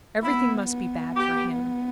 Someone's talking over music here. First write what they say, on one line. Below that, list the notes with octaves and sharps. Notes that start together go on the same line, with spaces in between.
Everything must be bad for him.
B3 E4
B3
G4